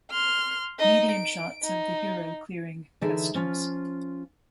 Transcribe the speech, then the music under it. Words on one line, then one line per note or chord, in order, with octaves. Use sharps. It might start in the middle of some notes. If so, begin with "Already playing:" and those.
Medium shots of the hero clearing customs.
C6 F6
D#4 D#5
D7
D#4
D3 E3 D#4 G#4 E5 A5
F3 C#4 F4